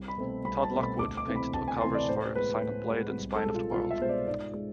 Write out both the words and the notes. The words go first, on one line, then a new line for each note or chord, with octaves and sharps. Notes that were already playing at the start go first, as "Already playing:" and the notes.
Todd Lockwood painted the covers for "Silent Blade" and "Spine of the World".
Already playing: C2
B5
B2 A3 C4
C2 B5
A5
B2 A3 C4
B5
D2 D6
D6
C3 E3 A3 C4
B5
D2 A5
G#5
C3 E3 A3 C4 C6
D5
A2 C5
G#3 B3 B4
A2
G#3 B3
C2
A4
B2 G#3
F4
C2 F4
E5
B2 G#3 C5
D5
G#2 D5
G#3